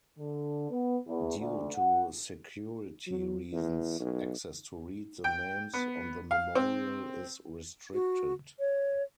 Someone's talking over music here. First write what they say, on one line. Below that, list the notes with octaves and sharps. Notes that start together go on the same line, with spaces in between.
Due to security reasons access to read the names on the memorial is restricted.
D3
B3
E2
D2
F#5
F#3
E2
B1
G5
B3
F5
C4
F#4
C#5